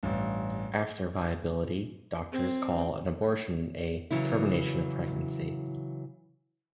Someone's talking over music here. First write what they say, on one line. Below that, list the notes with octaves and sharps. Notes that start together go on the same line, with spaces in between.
After viability, doctors call an abortion a "termination of pregnancy".
A1 G2
C4
C#3 E3 F#3 E4